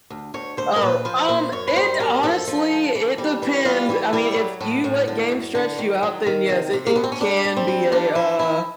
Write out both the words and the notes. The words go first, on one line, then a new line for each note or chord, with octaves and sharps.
Oh, um, it honestly it depends. I mean, if you let games stress you out, then, yes, it it can be a, uh
D2
D2 C#5
D2 C5
A#4
A#2 B4
F3 C5
A#2 C5
F#2 C#5
B4
G3 C5
F#2 A#4
F3 A4
F3
D2
E3
G3
E3
G3 F4
E3 E4
G3 E4
F#3
A2
A2
D3
F#2
D3
D#3
F#3
D#3
C3
C3
A#3
D2 B3
C4
C#4
G3 D4
G3
C4
G3
F3 D4
F3 E4
F3 E4